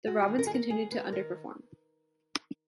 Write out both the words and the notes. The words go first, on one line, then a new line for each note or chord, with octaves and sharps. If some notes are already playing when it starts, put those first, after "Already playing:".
The Robins continued to underperform.
G#3 F#4
G#4
D#3
A#4
G#4
D#2 A#4
D#2 G#4
G#3 B4
D#3 A#4